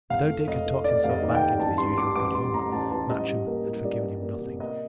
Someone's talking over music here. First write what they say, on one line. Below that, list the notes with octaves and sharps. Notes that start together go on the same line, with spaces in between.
But though Dick had talked himself back into his usual good-humour, Matcham had forgiven him nothing.
F1 F5
A3
F1 D#5
A3
A3 D5
F1 F5
D#5
D#2
F5
G5
D#2
G5
A1 A5
G3 C6
G3 D6
A1 D6
G3 C6
A2 A#5
A1 A5
A1 A5
G3 D#5
G3
A#3
G3
G3 D5
G3
A#3
C3
A#3 D#5